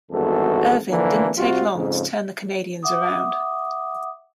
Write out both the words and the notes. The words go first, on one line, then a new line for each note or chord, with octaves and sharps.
Irvin didn't take long to turn the Canadiens around.
G#1 E2 G2 F#4 A4
D3 E3 F3 A#3 D4
C3 G3 C4 F4 F#4
F2 G#2 C#3
E5 F#5 D6 D#6